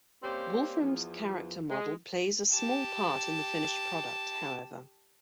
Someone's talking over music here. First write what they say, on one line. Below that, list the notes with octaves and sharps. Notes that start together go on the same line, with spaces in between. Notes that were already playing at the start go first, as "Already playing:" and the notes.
Wolfram's character model plays a small part in the finished product, however.
G3 A#3 C4 C#4 G4 C5
E2 F3
G#3
G4 A5